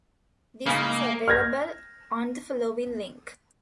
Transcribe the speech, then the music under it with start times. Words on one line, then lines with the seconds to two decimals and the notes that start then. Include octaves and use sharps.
This is available on the following link.
0.66 G#2 C#3 A#3
1.28 F6 G6 G#6 A#6